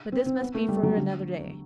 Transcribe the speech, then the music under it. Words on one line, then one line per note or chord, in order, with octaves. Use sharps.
But this must be for another day.
C4
C4
B3
A3
G3
F#3
D3